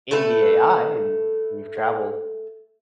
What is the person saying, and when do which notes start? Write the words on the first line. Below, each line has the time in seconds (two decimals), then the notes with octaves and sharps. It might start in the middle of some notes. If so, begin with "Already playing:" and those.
in the AI and we've traveled
0.11 A3 A4 B4